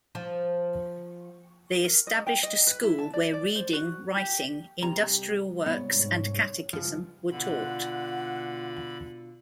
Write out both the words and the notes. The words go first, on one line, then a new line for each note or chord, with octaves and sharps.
They established a school where reading, writing, industrial works, and catechism were taught.
F3
A#4
D#5
G5
D#5
B4
E4
A5
D5
D5
C5
F#4
G4
C2 C3 G4 A#5
C2 G#2 B3 C#5
C#2 G2 F3
B2 D3 D4 F4 F#5 B5